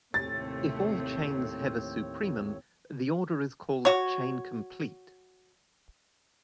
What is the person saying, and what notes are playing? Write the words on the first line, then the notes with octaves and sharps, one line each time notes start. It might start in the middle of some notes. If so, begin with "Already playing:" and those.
If all chains have a supremum, the order is called chain complete.
D#2 A2 C3 A3 C4 C#5 A6
F#4 C#5